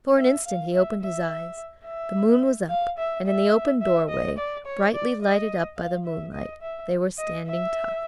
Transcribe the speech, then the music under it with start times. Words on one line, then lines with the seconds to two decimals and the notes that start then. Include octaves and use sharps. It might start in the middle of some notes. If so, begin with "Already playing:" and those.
For an instant he opened his eyes: the moon was up, and in the open doorway, brightly lighted up by the moonlight, they were standing talking.
0.18 E5
0.45 F5
0.73 E5
1.01 E5
1.85 E5
2.69 F5
2.98 E5
3.26 E5
3.82 E5
4.09 D#5
4.38 D5
4.66 C#5
4.94 D5
5.22 D#5
5.77 F5
6.06 E5
6.33 D#5
6.61 E5
7.18 D#5
7.46 E5